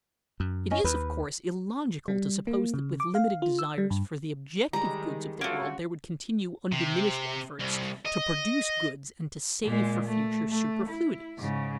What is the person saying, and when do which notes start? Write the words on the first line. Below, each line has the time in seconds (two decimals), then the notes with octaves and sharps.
It is, of course, illogical to suppose that with limited desires for the objective goods of the world there would continue undiminished efforts to produce goods and to save for future superfluities.
0.40 F#2
0.71 C#4 D#5 G#5
0.84 D#2 B4
2.08 G3
2.47 A#3
2.74 C#3
3.00 D6
3.15 F5
3.42 F4
3.59 E6
3.78 G3
3.90 G2
4.73 D#3 G3 G#3 A#5
5.41 A3 A#3 C#4 F4 F#4
6.72 C3
7.60 C2
8.06 D#5
9.65 A#2 G#3
10.08 A3
10.49 A3
10.89 E4
11.39 G#2 C#3